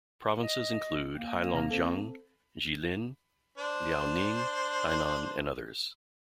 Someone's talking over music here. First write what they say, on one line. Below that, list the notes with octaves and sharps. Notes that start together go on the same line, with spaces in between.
Provinces include Heilongjiang, Jilin, Liaoning, Hainan, and others.
D#5
A#3 G5
C3 A#5 F6
C4 A4
D4 C5